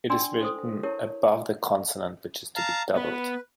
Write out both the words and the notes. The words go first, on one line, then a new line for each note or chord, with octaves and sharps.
It is written above the consonant which is to be doubled.
D4 D5 G5 G#5 C6 E6
A4 C5 D#6
E4 G4 A#4 C#5 A5
F5 A5 A#5
B3 B4